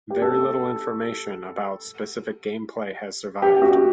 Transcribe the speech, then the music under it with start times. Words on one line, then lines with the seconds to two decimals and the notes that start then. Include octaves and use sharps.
Very little information about specific gameplay has survived.
0.10 G4
0.22 A4
3.42 G4
3.62 F#4